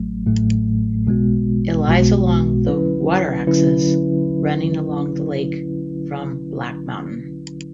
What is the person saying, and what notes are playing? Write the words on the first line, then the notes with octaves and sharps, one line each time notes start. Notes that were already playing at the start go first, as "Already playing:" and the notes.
It lies along the 'water axis' running along the lake from Black Mountain.
Already playing: A1 A2 F#3 A3
A1 A2 F#3 A3
B1 B2 G#3 B3 F#4
B1 B2 G#3 B3 F#4
D3 F#3 C#4 E4 B4
D3 F#3 C#4 E4 B4